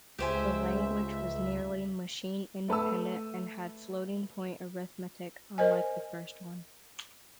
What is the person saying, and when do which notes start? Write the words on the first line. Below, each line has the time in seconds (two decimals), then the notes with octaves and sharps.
The language was nearly machine-independent and had floating-point arithmetic, unlike the first one.
0.19 C#2 G#3 G4 C5 E5 G#5
2.68 A3 B4 A5 E6
5.58 A#4 C5 D#5 G#5